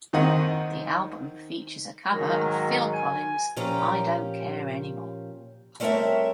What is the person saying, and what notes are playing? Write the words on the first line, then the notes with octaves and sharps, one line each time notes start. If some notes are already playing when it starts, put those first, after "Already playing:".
The album features a cover of Phil Collins' "I Don't Care Anymore".
D#2 D#3 C4 D#5 F#5 D#6
G#2 D#3 F#3 A#4
G#5
A#2 F3 C#4 G4 A#5
G3 A3 C4 A#4 C#5 E5